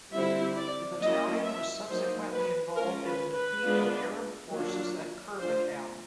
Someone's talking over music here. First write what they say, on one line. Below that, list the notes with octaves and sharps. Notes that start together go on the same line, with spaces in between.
The battalion was subsequently involved in the defeat of Arab forces at Kirbekan.
D3 G3 C4 E4 E5
D5
F#3 A#3 C#4 E4 D#5
E5
F#3 A#3 D#4 C5
B4
G#3 C#4 F4 A#4
B4
B4
G#3 B3 D4 F4
F#3 A#3 D4 F4
A3 D4 F4 C5